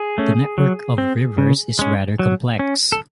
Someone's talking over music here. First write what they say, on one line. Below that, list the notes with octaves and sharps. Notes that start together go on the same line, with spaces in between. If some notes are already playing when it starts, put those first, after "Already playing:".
The network of rivers is rather complex.
Already playing: G#4
A3 C#4
F#3
C4
C#3
G#3 C#4
F#3
C#4
A4